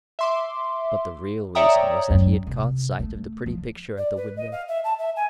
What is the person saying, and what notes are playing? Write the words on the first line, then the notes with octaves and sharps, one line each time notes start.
But the real reason was that he had caught sight of the pretty picture at the window.
E5 C6 D6
C#5 D5 E5 G5 A#5 D#6
F#2
C3
A3
F3
D5
B4
D#5
F5
E5
A5
E5
G#5